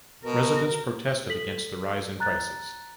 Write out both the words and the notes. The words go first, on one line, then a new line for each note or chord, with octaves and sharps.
Residents protested against the rise in prices.
B2 A#4
A4 B6 F#7
A#5 F#6 A6